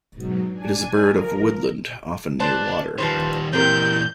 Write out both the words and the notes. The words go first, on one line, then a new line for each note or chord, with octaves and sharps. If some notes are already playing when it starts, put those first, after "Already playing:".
It is a bird of woodland, often near water.
G#2 B2 F#3
D4 G#5
F3 A#4
D4 B4 C5 A5
D#3 F3 G3 B4 C5
A#2 E3 C4 G4 A#4 G6